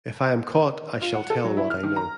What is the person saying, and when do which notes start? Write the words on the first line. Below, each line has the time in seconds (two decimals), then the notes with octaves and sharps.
If I am caught I shall tell what I know.
1.02 F4
1.14 F#5
1.30 A4
1.44 F#3
1.57 E4
1.70 F6
1.83 D#3
1.96 A#5